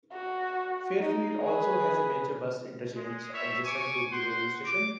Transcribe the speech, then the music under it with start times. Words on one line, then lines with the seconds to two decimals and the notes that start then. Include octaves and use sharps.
Fairfield also has a major bus interchange adjacent to the railway station.
0.13 F#4
0.99 D#4
1.43 G#4 B4
2.96 G#3
3.33 G3 C#5 E5
3.65 C#5 G#5 C#6 D6
4.12 C5 F#5 C6
4.64 D6